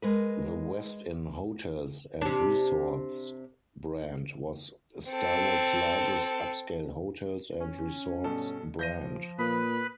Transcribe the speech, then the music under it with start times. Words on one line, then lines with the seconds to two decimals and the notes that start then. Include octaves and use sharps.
The Westin Hotels and Resorts brand was Starwood's largest upscale hotels and resorts brand.
0.02 G#3 A#4 B4
2.22 C3 D4
5.10 C4 A4
7.60 C#4
8.24 G2 B2 A4
8.79 F3 G6 A#6 D#7
9.39 A#2 B4 B5 D#6